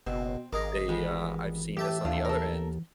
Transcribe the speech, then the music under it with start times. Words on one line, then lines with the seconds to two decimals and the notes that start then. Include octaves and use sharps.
they, uh, I've seen this on the other end,
0.07 F#1 B2 C4
0.53 G#1 G#4 A#4 D#5 D6
0.88 E3 G3 G#3 B3
1.77 A2 G4 E5 A5
2.05 D#2 D4 F4
2.25 A4 A#4